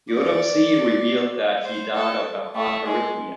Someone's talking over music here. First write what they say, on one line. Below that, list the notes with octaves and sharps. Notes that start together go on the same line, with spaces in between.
The autopsy revealed that he died of a heart arrhythmia.
D5
C5
A4
A3
G#3